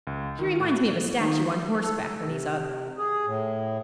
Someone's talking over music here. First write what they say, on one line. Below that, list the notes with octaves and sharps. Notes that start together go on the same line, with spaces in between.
He reminds me of a statue on horseback, when he's up.
C#2
D#3
A2
D#3
A4
C3
G#4
A2